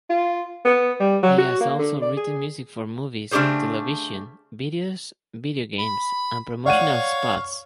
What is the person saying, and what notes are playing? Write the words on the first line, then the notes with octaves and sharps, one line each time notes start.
He has also written music for movies, television, videos, video games and promotional spots.
F4
B3
G3
F#3
F#4
A#3
D3
D5
G#4
C#3 A3 D4 G4 G#4 C5
B5
C#5 D5 F5 F#5 C#6 D#7